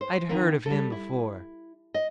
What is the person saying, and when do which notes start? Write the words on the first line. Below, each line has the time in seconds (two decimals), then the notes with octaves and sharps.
I had heard of him before.
0.01 C5
0.29 D#3 E3 A#3 C4
0.66 G3 A4
0.92 E4
1.94 D#5